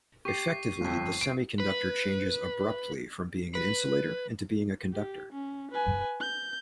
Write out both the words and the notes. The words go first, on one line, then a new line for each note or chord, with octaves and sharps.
Effectively, the semiconductor changes abruptly from being an insulator into being a conductor.
G4 C#6 C7
G1 F2
D7
B4
B4
G4
C#4
B4 G#5
G6